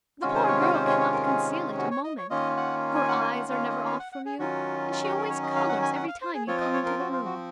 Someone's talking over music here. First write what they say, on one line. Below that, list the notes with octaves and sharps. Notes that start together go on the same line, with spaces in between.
The poor girl cannot conceal it a moment; her eyes are never off from you, and she always colours every time you come into the room.
C3 D#3 G#3 C#4 F4 F#4
C5
C#5
F#4
C5
C#5
C#5
A#4
G#4
F4
F#4
C#5
D#5
C#5
D#3 A#3 C#4 F4 D#5
F#5
G#5
F#5
G#5
F#5
F5
D#5
F5
F#5
F#5
G#4
D#3 F#3 C#4 F4 F#4
F4
F#4
A#4
C#5
D#5
F5
F#5
G#5
F#5
F5
C5
G#4
F3 C4 F4 C#5
D#5
C#5
A#4
F#4
F4
F#4